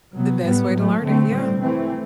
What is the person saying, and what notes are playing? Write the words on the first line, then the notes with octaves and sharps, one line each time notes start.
The best way to learn it, yeah.
C3 F#3 B3
A2 G3 B3
A2 F#3 A3
D3 A3 C4
A2 G3 C4
E3 A3 C4